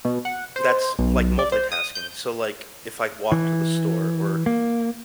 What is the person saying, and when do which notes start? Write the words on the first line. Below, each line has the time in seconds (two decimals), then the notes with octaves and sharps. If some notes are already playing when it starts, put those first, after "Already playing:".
that's, like, multitasking, so, like, if I walk to the store or
0.05 B2
0.25 F#5
0.56 C5
0.99 B1
1.39 D5
1.52 C5
1.72 D#6
1.95 G6
3.32 E3
4.46 A#3